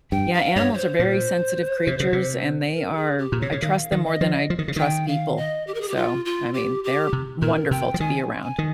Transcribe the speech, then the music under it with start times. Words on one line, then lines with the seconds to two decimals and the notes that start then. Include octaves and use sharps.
yeah, animals are very sensitive creatures, and they are I trust them more than I trust people. So, I mean, they're wonderful to be around.
0.12 G2 G5
0.33 F5
0.56 G2 C#5
0.74 C#5
0.77 C5
0.99 A#2
1.87 C3
2.00 C#3
2.13 C3
2.75 A#4
2.93 G4
2.97 G#4
3.18 G4
3.32 A#2
3.41 C3 C#5
3.52 C#3
3.62 D#3 F5
3.92 D#3
4.06 D#5
4.21 F3
4.50 F3
4.59 D#3
4.68 C#3
4.76 D#3 G5
5.08 F5
5.37 D#5
5.67 G4
5.74 A#4
5.81 G#4
5.89 G4
5.96 F4
6.25 F4
6.54 G4
6.84 G4
7.13 C3
7.42 A#2 A#4
7.71 C3 G5
7.94 F3
8.00 D#3 G#5
8.44 G#5
8.58 D#3